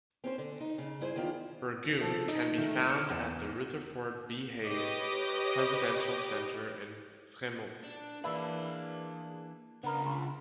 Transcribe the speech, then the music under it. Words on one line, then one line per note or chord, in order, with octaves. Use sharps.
Burgoon can be found at the Rutherford B. Hayes Presidential Center in Fremont.
C4 C#4 A#4 C5
D3
D#4
C#3
G2 E4 G#4 C5
E2 D#3 F4
F3 A4
D#4
D#3 A3
F6 G6 C#7 E7
E2
G4 B4 C#5 D#5 D6
D4
E3 A#3 D4 G#4 B4 D5 E5
C#3 B3 D4 F4 A#4
C#2